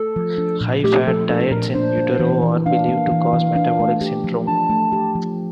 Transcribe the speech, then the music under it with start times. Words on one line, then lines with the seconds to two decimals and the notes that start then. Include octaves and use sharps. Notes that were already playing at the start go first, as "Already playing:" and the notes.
High fat diets in utero are believed to cause metabolic syndrome.
Already playing: A3 A4
0.16 F3
0.38 D4
0.61 A#2
0.84 A3 G4
1.07 F3 A4
1.29 D4 A4
1.51 A#2 A#4
1.74 D4 C5
1.98 A#3
2.19 E3
2.42 E3
2.65 D4 F5
2.88 A#3
3.12 E3
3.33 E3
3.56 D4
3.80 A3
4.01 G4
4.24 F3
4.47 D4 A5
4.70 A3
4.92 G4
5.15 F3